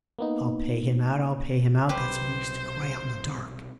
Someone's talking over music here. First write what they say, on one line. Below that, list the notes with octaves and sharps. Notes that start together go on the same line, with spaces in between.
'I'll pay him out, I'll pay him out!' That's what I used to cry out in the dark.
A#3 B3 D#4
B1 C3 G4 B4 C5